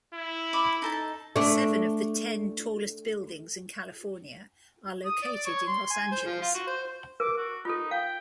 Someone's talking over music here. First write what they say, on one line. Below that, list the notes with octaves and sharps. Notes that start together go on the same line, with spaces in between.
Seven of the ten tallest buildings in California are located in Los Angeles.
E4
B5 D6
D#4 A4 A5
A3 D4
D#6
D5
C#5
C6
G#5
C5
F3
F4
F#4
C5
A#4 D6
F#4
D#4 F4 A4
F5 G5